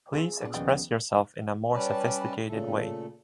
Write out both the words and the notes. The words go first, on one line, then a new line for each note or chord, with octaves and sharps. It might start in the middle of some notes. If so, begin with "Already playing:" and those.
Please express yourself in a more sophisticated way.
C4 F4 G#4
A#2 B3 D4 D5
D#2 C#3 F3 B3 D5 D#5 G5
G3 C#4 B4 D5 A5
A#2 C#3 A3 A4